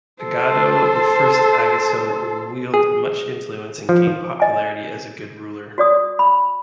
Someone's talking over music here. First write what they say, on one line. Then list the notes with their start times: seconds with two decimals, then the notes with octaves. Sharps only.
Igodo, the first Ogiso, wielded much influence and gained popularity as a good ruler.
0.23 A4 C5
2.74 G#4
3.89 F3
4.40 D#5 G#5
5.78 F#4 D5 D#6
6.19 B5